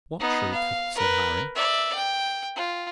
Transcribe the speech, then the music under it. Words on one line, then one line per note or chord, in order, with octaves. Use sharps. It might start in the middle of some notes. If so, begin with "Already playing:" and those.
"What truth?" said Harry.
B3 D#4
F5
A#4 B4
D5 E5
G5
F4